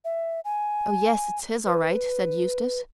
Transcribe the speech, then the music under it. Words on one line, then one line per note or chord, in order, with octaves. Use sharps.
"Oh, yes, it's his all right," said Eustace.
E5
G#5
B4